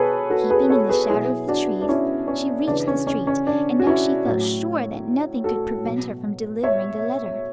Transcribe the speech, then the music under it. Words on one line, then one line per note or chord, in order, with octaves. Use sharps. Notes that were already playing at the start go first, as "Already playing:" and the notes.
Keeping in the shadow of the trees she reached the street, and now she felt sure that nothing could prevent her from delivering the letter.
Already playing: B2 G#4 A4 B4 C#5
F#4 A4
G#4 B4
A4 C#5
G#4 B4
B2 F#3 E4 G#4
D4 F#4
D4
C#4 E4
C#4
C#3 E3 D4
C#4
C#4
C#4
D4
F#4
C#4 E4
A2 F#3
F#4 A4
B2 F#3
C#5 E5